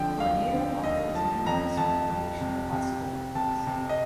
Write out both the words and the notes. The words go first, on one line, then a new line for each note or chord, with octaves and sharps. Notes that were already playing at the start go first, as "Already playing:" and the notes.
Tornado offers numerous recreational possibilities.
Already playing: F1 D3 F3 G5
D#2 F5
D3
D#2 D#5
F3 A5
F2 A#5
F2 A5
F2
C3
C3
C3
C3 A5
C3
D#5